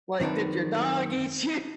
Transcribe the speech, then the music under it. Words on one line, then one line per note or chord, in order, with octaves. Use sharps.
Like, "Did your dog eat you?"
F#2 D#3 C4 D4 B4